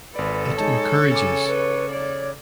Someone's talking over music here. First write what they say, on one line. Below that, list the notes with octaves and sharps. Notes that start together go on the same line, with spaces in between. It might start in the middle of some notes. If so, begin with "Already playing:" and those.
It encourages.
G#1 A4 B4 D5
G#3 D#4 C#5 A5
C#3 G#5 D6
B4
C#5 D5